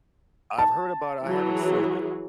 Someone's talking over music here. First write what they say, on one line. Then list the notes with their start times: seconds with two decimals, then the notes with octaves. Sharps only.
I've heard about I haven't seen it.
0.58 A5
1.25 E3 F#3 G#4